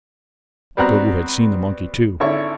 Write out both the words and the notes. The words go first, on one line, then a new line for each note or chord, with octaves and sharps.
Otobu had seen the monkey too.
G3 B3 C4 F#4 A#5 F#6
G#1 D3 E4 C#5 C#6